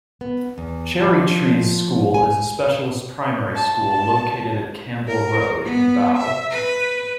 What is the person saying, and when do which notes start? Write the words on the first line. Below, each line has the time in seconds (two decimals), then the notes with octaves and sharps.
Cherry Trees School is a specialist primary school located at Campbell Road in Bow.
0.21 B3
0.58 E2
1.00 F3
2.14 G#5
3.56 A5
5.08 A#4
5.65 B3
6.18 E5
6.51 B4